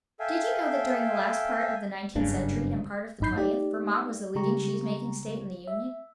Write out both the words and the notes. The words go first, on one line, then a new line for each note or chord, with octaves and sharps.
Did you know that during the last part of the nineteenth century and part of the twentieth, Vermont was the leading cheesemaking state in the Union?
A4 E5 F5 G5 G#5
F#1 G2 C#3 D4
G#1 F#2 D#4 B5 G6 C7
A3 D#4 G4 D5
C#3 G3 G#3 G4 A#5 C#6
E5